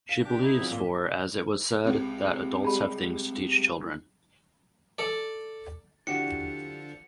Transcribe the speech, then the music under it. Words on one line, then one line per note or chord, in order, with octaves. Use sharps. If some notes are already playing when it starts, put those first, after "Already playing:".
She believes for as it was said that adults have things to teach children.
F5 B6
D4 G4 D6
D#4 E4 G#4
F3 F#3 C4
A#2 A#3 G7
C#2 C3
G3 G#3 A5 B5
A4 D5
D3 F3 D4 E4 F#4 G4 C#7